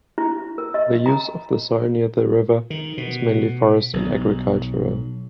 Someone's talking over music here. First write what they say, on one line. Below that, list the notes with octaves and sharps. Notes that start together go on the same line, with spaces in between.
The use of the soil near the river is mainly forest and agricultural.
E4
A#4
D#5
A#5
D#3
B2
B1